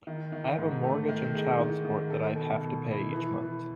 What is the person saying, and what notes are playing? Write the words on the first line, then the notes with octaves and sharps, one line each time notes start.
I have a mortgage and child support that I have to pay each month.
D#3
D#3
G#2
A3
D#3
G#3
D#3
D#3
A4
B2
B2
E4
E3
E3